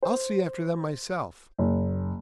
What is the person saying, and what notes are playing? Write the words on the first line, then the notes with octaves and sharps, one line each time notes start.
"I'll see after them myself."
C5
F#1